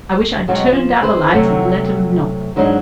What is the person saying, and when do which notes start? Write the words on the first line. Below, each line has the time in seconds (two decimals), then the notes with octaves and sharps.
I wish I'd turned out the lights and let 'em knock.
0.48 B2 F#3 G#3 C4 F#4
0.72 F3
1.01 C4 G#4 B4 C5
1.32 C3 F#3 A3 F#4
2.56 G#2 F#3 G#3 D4 D#4